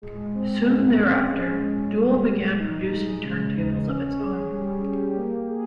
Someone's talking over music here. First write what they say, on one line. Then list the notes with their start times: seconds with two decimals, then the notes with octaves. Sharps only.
Soon thereafter, Dual began producing turntables of its own.
0.02 G#3
0.35 C4
0.67 G#3
0.98 C#4
1.31 G#3
1.63 G#3
1.95 G3
2.27 G3
2.58 D#4
2.91 G#3
3.23 C#3
3.55 D#4
3.88 C#4
4.19 G#4
4.51 G3
4.84 G4
5.16 A#3
5.49 G#4